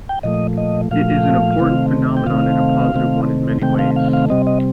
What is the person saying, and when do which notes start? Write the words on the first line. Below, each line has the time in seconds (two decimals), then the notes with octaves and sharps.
It is an important phenomenon and a positive one in many ways.
0.09 G5
0.23 A#2 F3 A3 D#5
0.58 D#5
0.91 A#2 F3 A3 F5
1.59 C3 D#3 A3 C4
2.17 G5
2.26 C3 D#3 A3 C4 F5
2.94 C3 D#3 A3 C4
3.62 C3 D#3 A3 C4 G5
3.79 F5
3.96 F5
4.13 F5
4.30 C3 G3 C4 D#5
4.47 D#5